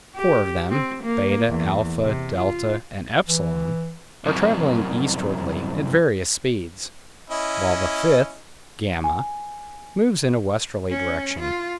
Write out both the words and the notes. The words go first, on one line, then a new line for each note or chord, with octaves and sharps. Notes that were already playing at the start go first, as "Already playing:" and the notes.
Four of them, Beta, Alpha, Delta, and Epsilon are traveling eastwardly at various speeds, while the fifth, Gamma, moves in a westerly direction.
G4
C4
A#3
E2
C3
F4
E3
C2 F#2
C#4 E4 D#5
G#5
C#4
F4